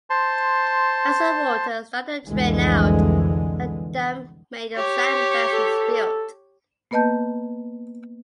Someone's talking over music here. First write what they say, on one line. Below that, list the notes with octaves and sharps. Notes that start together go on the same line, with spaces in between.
As the water started to drain out, a dam made of sandbags was built.
C5 A5 C6
C2 F2 D3 E3 G#3
G4 C#5
A4
A#3 B3 B4 D#5 A5 G6